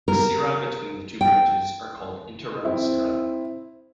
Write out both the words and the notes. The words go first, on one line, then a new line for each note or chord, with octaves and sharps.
The cirri between the two branches are called interramal cirri.
A#4
G5
C4 E4